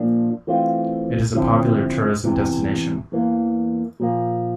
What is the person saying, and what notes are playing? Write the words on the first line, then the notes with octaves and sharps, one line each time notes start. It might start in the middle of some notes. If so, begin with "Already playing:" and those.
It is a popular tourism destination.
Already playing: A#2 F3 A#3 D4
E3 A3 C4 F4
D3 F3 C4 E4
E2 C3 E3
E2 E3 A#3
A#2 F3 A#3